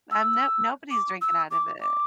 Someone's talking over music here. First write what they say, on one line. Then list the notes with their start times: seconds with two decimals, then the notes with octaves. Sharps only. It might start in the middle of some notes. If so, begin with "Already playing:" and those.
Um, no nobody's drinking out of it.
0.11 E6
0.91 D6
1.21 E6
1.51 D6
1.81 D6